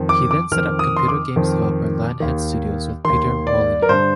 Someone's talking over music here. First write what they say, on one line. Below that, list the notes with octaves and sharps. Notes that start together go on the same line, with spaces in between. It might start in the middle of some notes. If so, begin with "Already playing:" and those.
He then set up computer games developer Lionhead Studios with Peter Molyneux.
Already playing: F2 D#3
D6
D6
F2 D#3 F6
D#6
C6
D6
F2 D#3
D#2 D#3
D#3 C6
D#2
D5
A#4
G2 D3 C5